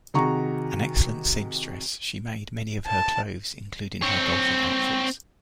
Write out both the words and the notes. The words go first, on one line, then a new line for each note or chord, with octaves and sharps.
An excellent seamstress, she made many of her clothes, including her golfing outfits.
C3 D#3 F#4 G#4 A#5 C#6
A5
C4 C#5